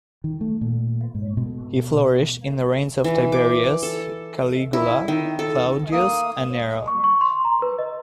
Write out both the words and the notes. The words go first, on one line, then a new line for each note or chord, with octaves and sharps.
He flourished in the reigns of Tiberius, Caligula, Claudius and Nero.
D#3
A3
A#2
G#2
B2
E3
D6
A4
E4
D#3
A4
A#3 D#6
C#6
C#6
C6
A#5
B4
D#5